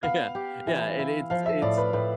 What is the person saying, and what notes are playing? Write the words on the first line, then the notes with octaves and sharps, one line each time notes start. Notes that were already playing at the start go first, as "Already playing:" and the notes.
Ye yeah, yeah, and it's it's
B3 F5
G4
E3
E4
F3 F5
E5
A2 D5
B4
A2 B4